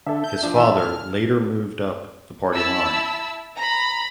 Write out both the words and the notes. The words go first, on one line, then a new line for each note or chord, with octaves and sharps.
His father later moved up the party line.
D3 A4 E5
G6
F3 D4
E3 E5 A5
F6
E4 A5 B5 E6
A#5 B5